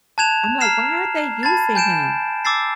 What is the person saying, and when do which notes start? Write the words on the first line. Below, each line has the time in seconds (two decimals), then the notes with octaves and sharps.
I'm like, "Why aren't they using him?"
0.18 A5 F#6 G#6 E7 F7
0.61 A#5 F6 C7 E7
1.43 A5 B5 G#6 A6
1.75 G#5 G6 D7 E7
2.45 D6 E6 A6 C7